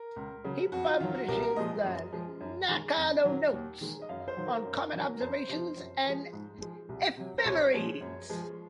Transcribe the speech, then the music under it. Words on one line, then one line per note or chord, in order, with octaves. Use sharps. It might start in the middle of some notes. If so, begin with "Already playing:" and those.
He publishes the "Nakano Notes" on comet observations and ephemerides.
Already playing: A#4
C#2
C#3 F#3
F2 F#4
F4
D#3 F#3 F4
F#4
C2 A#4
A#4
A#2 F3 G#3 D#5
F#2
F3 G#3
F#2
D#3 G#3
F2
D#3 F#3
D#2
D#3 G#3
D#5
F#2 F5
C5
D#3 F#3
A#4
F#2
D#3 F#3
A#4
F2 C5
C3 F3
F#2
F3 G#3
G#2
F3 G#3
C2
C3 F#3
C5
C2 C#5
A#2 F3 G#3
F#2
F3 G#3